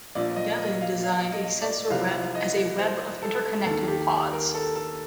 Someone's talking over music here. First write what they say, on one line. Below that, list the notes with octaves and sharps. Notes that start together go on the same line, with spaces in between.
Delin designed a sensor web as a web of interconnected pods.
A#1 A#2 F3 D5
D#5
D#5
F5
F5
D#5
D5
C2 C3 F3 F5
D#5
C5
A4
D#2 D#3 A4
G4
A#4
A4
A4